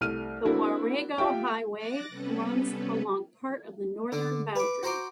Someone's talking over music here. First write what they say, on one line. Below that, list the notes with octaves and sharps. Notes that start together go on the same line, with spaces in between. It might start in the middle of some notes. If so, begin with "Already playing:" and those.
The Warrego Highway runs along part of the northern boundary.
C2 A3 F6 D#7
A#3 C4 D4 E4 F#4
F4 G4 E5 G5
D6 F#6 A6 A#6
C3 G3 B3 C#4 A4 B4
D3 D4
B4 D6
F#4 C5 A#5 C6 D6